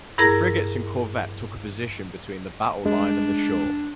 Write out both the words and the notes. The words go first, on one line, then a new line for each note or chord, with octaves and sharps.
The frigates and corvette took a position between the battle line and the shore.
G2 E4 G#4 A#4 A#5 A#6
G#3 D4